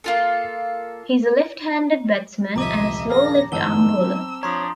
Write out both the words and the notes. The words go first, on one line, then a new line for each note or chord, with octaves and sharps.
He is a left-handed batsman and a slow left-arm bowler.
A#3 F4 A4
D#1 C2 F2 D#5 E5 A#5 D6
G#4 A#4 F5 A#6
G1 E2 G#2 B3 D#4 A5 E6 G7
C4
F3 D4 C#5 A#5 C6 D#6